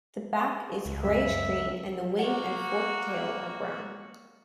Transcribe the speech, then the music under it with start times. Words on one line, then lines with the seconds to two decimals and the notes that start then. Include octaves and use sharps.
The back is grayish-green, and the wing and forked tail are brown.
0.85 C#2
1.03 F#2 G4 E5
1.23 G#5
1.58 A#4
2.19 A#3 F#4 F#5